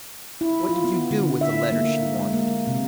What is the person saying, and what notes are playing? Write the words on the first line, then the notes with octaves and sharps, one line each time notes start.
"What did you do with the letters she wanted?"
E4
F4
B3
D3
E5
A#3
G#3
A#3
C3